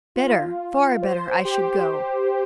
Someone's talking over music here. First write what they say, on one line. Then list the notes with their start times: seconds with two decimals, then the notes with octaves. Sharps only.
Better--far better--I should go.
0.16 F4
1.02 C5
1.45 G4